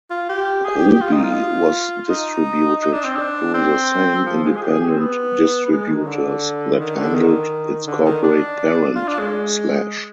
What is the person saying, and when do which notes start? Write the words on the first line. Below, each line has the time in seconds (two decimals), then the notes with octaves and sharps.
Ruby was distributed through the same independent distributors that handled its corporate parent, Slash.
0.11 F4
0.29 G4
0.65 G#4
0.76 G4
0.88 G4
1.01 F4
1.13 D#4
1.24 F4
2.09 D#4
2.81 D#4
2.93 D4
3.05 C4
3.16 D4
3.54 C4
4.26 F3
4.44 G#3
4.57 G#4
4.62 G4
4.71 G#4
4.81 G4
4.89 C4
4.98 B3
5.65 B3
5.70 G#3
5.88 D#3
6.07 D3
6.79 D#3
6.97 D3
7.15 D#3
7.87 D3
8.05 D#3
8.24 D4
8.95 F4
9.08 D4
9.19 G#3